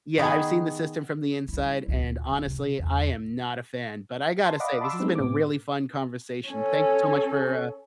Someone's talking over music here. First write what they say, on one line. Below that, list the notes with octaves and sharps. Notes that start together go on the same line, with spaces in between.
Yeah, I've seen the system from the inside, and honestly, I am not a fan, but I gotta say this has been a really fun conversation. Thanks so much for, uh
D#3 B3 G#4
G3 E4
D2 A#2
D1
C3
E2
A5 C6
D5 D#5 F5 F#5 B5 D6
A5 B5 C6 D6 E6
G3 G#3 B3 C4 D#4
A2 B3 C4 D6
C#4 A4